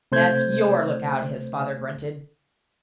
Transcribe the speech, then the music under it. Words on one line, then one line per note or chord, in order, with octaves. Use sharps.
"That's YOUR lookout!" his father grunted.
C3 A3 C5 G6 G#6